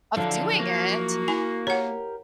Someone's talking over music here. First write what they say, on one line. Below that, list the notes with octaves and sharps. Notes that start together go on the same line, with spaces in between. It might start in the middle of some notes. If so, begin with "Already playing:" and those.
of doing it.
D3 F3 F#3 E4 A4 F5
A#3 F#4
E4 G#5
G4 A#4 C#5 F#5